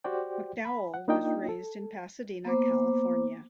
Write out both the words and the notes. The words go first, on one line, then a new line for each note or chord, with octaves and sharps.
McDowell was raised in Pasadena, California.
F#4 G4 C5 D5 G5
B5
F#5
A#3 D4 D#4 F4 D#5 G5
A4
A#3 B3 C5 D6